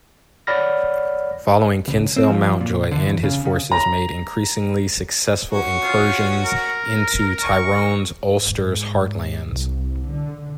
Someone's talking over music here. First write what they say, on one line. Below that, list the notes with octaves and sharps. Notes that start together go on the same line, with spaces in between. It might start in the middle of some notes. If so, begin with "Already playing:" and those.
Following Kinsale Mountjoy and his forces made increasingly successful incursions into Tyrone's Ulster heartlands.
C#5 D5 F#5 B5 F6 A#6
C#2
C4
F3
A#2
D3
E2
C#3
C#3
A#5
C#4 F#4
F4
A#4
C#6
G#2
C2
D3